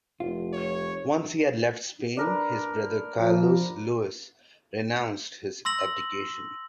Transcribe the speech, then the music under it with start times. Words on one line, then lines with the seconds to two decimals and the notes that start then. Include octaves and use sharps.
Once he had left Spain, his brother Carlos Luis renounced his abdication.
0.20 F1 F4
0.53 C#5
2.17 D4 A#4 B4
3.20 F3
5.65 C6 E6 A#6 F#7